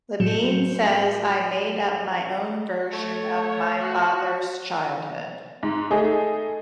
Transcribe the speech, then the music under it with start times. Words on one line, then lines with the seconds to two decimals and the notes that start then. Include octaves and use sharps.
Levine says, I made up my own version of my father's childhood.
0.20 A2 F#3 G6 C#7 E7
2.93 A3 C#5
3.80 F#4
5.63 G#2
5.91 A3 D#4 G#4